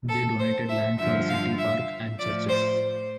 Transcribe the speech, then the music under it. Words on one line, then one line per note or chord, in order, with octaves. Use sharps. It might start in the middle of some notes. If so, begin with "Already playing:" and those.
They donated land for a city park and churches.
A4
C5
E5
G2 D3 F3 E5
F5
E5
A2 F3 D5
C5